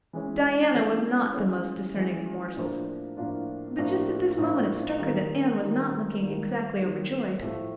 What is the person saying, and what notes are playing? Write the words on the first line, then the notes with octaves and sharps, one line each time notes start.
Diana was not the most discerning of mortals, but just at this moment it struck her that Anne was not looking exactly overjoyed.
E3 G#3 C#4
E3 G#3 C#4
E3 G#3 C#4
E3 G#3 C#4
A2 F3 A#3 D4 F4
A2 F3 A#3 D4 F4
A2 F3 A#3 D4 F4
A2 F3 A#3 D4 F4
D#3 G3 A#3
D#3 G3 A#3
D#3 G3 A#3
D#3 G3 A#3
A2 F3 A3